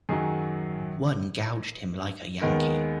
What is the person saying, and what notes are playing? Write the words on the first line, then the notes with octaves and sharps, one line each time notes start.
One gouged him like a Yankee.
F#2 D#3 F#3 G#4
D#2 D#3 G#3 B3 A#4